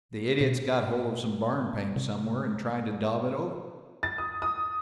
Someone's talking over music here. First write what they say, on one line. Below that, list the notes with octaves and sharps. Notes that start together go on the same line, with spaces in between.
The idiot's got hold of some barn paint somewhere, and tried to daub it over.
B2
C3
A6
D#6
D#6